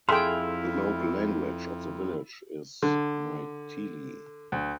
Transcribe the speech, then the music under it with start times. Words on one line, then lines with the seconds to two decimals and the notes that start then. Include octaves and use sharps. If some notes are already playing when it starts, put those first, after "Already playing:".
The local language of the village is Maithili.
0.09 F2 E4 G#4 A4 E5 F5 G5 C6
2.83 D3
4.52 D2